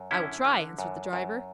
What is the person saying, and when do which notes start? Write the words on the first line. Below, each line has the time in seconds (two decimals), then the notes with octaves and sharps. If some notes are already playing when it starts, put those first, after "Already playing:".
"I will try," answered the driver.
Already playing: F#2
0.11 D3 C#4 E4
0.45 D3
0.79 F#2
1.13 F#2